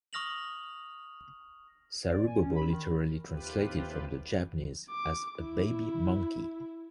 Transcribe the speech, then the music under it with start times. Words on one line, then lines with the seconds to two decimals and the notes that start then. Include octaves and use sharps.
Sarubobo literally translated from the Japanese as "a baby monkey".
0.13 C#6 D#6 F6 A#6 F7 F#7
2.11 D5
2.27 G#5
2.40 C#4
2.56 B5
2.72 D#3
3.28 D#2 C3 F4 G4 B4
4.90 D6
5.39 E4